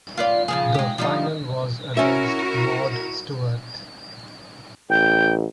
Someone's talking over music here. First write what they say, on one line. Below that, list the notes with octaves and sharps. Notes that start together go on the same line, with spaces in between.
The final was against Maud Stuart.
F4 B4 D5
C#3 F3 G#4
G#3 G4
F3 G3 D#4
C#4 E4 F#4 A#4 E5
A1 G5